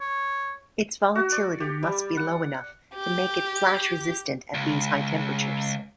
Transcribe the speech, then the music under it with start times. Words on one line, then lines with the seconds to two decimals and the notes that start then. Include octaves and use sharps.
Its volatility must be low enough to make it flash-resistant at these high temperatures.
0.01 C#5
1.15 F#4
1.32 D5
1.60 G4
1.83 G3
2.17 F#5
2.95 G4
4.54 C#2